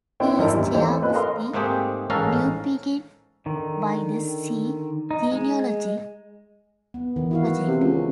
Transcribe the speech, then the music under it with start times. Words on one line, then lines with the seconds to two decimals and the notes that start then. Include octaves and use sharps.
He is Chair of the Newbiggin by the Sea Genealogy Project.
0.20 B3 D4 E4 C5 C#5 G5
0.38 G#1 F#2 E4 A#4 A5 C6
0.52 D#2 G3 D4
0.73 E3 A3 C4 C#4 C5 C#5
1.01 A#3 F4 B4
1.13 A4 A#4 D#5 F5 C6
1.53 G#2 A3 A#3 C4 G4 G#4
2.10 A1 G#2 C#4 A4 A#4 F5
3.46 D3 D#3
5.11 D#4
5.32 G#3
6.94 B3
7.16 D#3 E3
7.31 E4 F#4 F5
7.67 C3
7.80 C#2